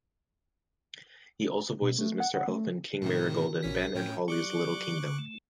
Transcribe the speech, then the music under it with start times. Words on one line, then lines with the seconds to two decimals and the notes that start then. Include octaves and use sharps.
He also voices Mr. Elf and King Marigold in "Ben and Holly's Little Kingdom".
1.82 B2
1.99 A3
2.20 F#5
2.34 F#5
2.48 A3
3.02 A2 C3 D#3 F#4 A#4
3.63 A#1 C#4 B6
3.95 A2 C#4 G5
4.28 F#3 G4 D5 C#6 D6 F#6
5.19 A3